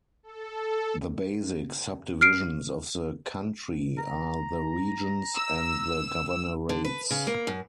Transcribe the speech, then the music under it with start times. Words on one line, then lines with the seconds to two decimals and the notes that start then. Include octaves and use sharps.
The basic subdivisions of the country are the regions and the governorates.
0.23 A4
2.21 F6 C7 D7
3.98 A#5
5.35 E6
6.69 D3
6.84 B4
7.11 C#3
7.27 A#3
7.47 F#2